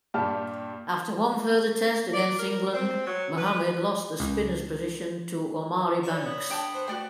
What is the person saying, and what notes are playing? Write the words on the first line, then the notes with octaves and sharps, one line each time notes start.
After one further Test against England Mohammad lost the spinner's position to Omari Banks.
G2 A#2 G3 G4 A5 F6
D5
A#4
C4
F#3
B4
C#2
A4 C#5 D5
B3
D4 G5 A5
C5
A3 F#4 D5 G5